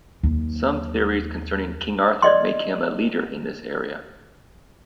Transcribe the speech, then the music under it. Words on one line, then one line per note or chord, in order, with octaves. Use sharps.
Some theories concerning King Arthur make him a leader in this area.
D#2 F#3
D5 D#5 C6